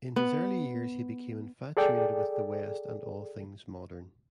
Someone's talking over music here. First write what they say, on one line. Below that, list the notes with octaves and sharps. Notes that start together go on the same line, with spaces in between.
In his early years he became infatuated with the West and all things modern.
B3
G#4 A4 D5 G5